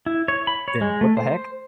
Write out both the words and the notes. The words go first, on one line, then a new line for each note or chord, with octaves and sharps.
then, "What the heck?"
E4
C#5
B5
C#5
G#3
A3
C5